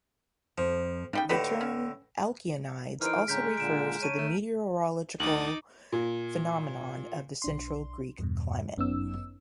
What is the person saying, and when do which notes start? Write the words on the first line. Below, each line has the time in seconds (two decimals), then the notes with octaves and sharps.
The term "Alkyonides" also refers to a meteorological phenomenon of the central Greek climate.
0.58 F2 F3
1.13 C#3 G3 D#4 G5
1.29 A2 D3 G4 B4
1.61 C#4
3.01 E3 D#4 A#4 C5 F6 D7
3.28 A2 D3 G#3 C#4 A#5 G6 B6
3.58 A#2 D3 D7 E7
4.02 C#5 A5 D#7
4.18 A3
5.20 D2 D#4 D6 D#6 A6 F#7
5.92 A#2
7.42 B1 D4 C6
8.19 E2 G2 B2
8.77 G1 F#2 B3 C#4 D#4 E6